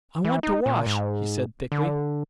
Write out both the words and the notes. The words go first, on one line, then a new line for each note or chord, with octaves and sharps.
"I want to wash," he said, thickly.
E3
D#4
A#2
G#2
D3